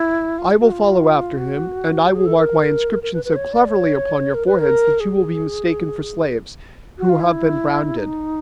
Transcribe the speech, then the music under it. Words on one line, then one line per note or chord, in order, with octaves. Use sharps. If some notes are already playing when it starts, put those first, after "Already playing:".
I will follow after him, and I will mark my inscription so cleverly upon your foreheads that you will be mistaken for slaves who have been branded!
Already playing: E4
F4
F#4
F4
F#4
G4
G#4
A4
A#4
A#4
B4
B4
C#5
D5
C#5
A#4
B4
A#4
G#4
F#4
F4
E4
D#4